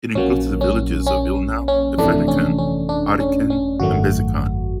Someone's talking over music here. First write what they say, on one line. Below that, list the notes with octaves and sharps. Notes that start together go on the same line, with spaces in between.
It includes the villages of Illnau, Effretikon, Ottikon and Bisikon.
A#1 A#2 F#3 A#3 C#4
C#4
C#4
C#4
G1 F2 C3 E3 A3 D4
C#4
C#4
D4
C#4
C#4
G#1 F#2 D#3 F#3 A3 F#4